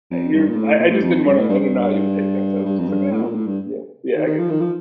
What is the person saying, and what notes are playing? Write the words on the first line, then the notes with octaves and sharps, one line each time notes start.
you're I I just didn't wanna I didn't know how you would take that, so I was just like, yeah, yeah, yeah, I get
F2
G2
A#2
A2
A#2
A2
F2
F2
G2
A2
G2
G2
G2
F2
G2
A2
A#2
A2
G2
D#3
D#3
F3
D#3
F3